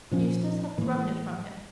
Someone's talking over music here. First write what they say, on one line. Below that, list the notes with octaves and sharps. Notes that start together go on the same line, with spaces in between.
Eustace had thrown it from him.
A#2 F3 C#4
A2 E3 A#3